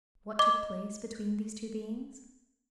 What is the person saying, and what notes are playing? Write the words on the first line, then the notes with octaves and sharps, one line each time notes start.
What took place between these two beings?
D#5 D6